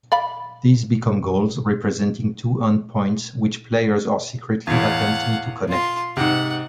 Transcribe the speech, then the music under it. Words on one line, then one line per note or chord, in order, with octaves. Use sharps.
These become goals, representing two end-points which players are secretly attempting to connect.
D5 F5 B5
E2 A2 F5 F#5
F4 C6
G#2 C3 F#5